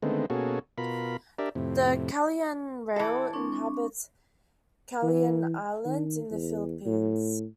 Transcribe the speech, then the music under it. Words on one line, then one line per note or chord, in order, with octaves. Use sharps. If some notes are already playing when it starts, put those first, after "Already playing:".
The Calayan rail, inhabits Calayan Island in the Philippines.
D3 D#3 G#3 A3 B3 C4
B2 A#3 C#4 F#4 G#4 A4
B2 F4 A#4 B5
D4 G4 A#4 D5 E5
F2 A2 C3
E3 A4 E5
C4 D4 C#6
E3
D#3
E2
A2